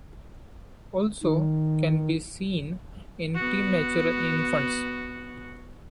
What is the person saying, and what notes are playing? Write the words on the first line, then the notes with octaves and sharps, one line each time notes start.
Also can be seen in premature infants.
D#3
B3 F#4